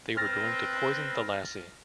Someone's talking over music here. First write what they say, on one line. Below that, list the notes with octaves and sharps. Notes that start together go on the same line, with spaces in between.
They were going to poison the lassie.
C4 B4 F6 A6 A#6